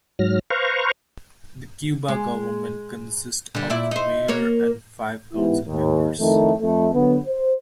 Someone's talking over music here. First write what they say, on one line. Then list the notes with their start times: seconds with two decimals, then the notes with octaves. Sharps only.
The Cuba government consists of a mayor and five council members.
0.19 G#2 F#3 F6 A#6
0.50 B4 C5 F5 A#5 C#6
2.08 G#3
3.55 D3 G3
3.70 A#2 E4 D5
3.91 D#4 C5
4.28 A#3 A#4 C#5
5.34 G#2 E3 B3 E4 G4
5.66 D#2
6.19 F2 A2 D#3 A3
6.60 F2 A3
6.94 D3 F#3 B3
7.26 C5